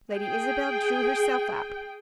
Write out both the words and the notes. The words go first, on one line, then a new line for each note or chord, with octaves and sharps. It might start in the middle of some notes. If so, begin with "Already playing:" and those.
Lady Isabel drew herself up.
G#4 G5